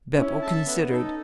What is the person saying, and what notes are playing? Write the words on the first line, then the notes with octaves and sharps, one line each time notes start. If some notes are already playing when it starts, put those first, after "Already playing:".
Beppo considered.
C#4 E4
A4 E5 A5
B3
D#4 A4